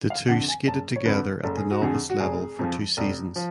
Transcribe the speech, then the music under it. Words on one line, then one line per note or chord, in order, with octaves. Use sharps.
The two skated together at the novice level for two seasons.
F5
F2 D3 F#5
G#5
F#1 A5
C#5
F2 D3 B4
F#1 A4
G#4
F#4
F2 D3 G#4
F#4
F1 G#4
F2 F3
F1
F3